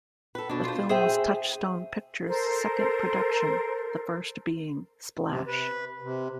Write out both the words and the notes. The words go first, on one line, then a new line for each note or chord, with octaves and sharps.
The film was Touchstone Pictures' second production, the first being "Splash".
A4 B4
B2 D4
F4 C5
G#4 C5 E5 G5
A4 A#4 C5
C3
B4
C3